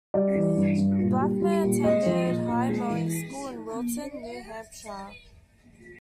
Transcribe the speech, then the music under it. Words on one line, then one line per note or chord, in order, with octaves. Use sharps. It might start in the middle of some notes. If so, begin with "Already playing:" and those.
Blackmer attended High Mowing School in Wilton, New Hampshire.
G3 D5
E3
G2
G2
A#2
G3
G3
A#2
G#3 D#5
F3
A#2
A#2
G#3
E3